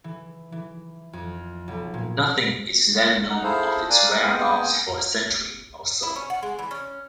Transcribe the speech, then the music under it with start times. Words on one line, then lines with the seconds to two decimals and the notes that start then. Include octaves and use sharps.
Nothing is then known of its whereabouts for a century or so.
0.04 E3
0.52 E3
1.13 F2
1.68 B1
1.94 A#2
3.30 D#4 F#5
3.43 E4 G#4 A4 C5 F5
3.90 A#4 D5 F5 G#5 F#6
4.19 G#3 A#3 B3 G#4 G5 G#5
6.03 E4
6.16 C#4
6.30 F#5
6.43 G#3
6.59 E3
6.71 C#4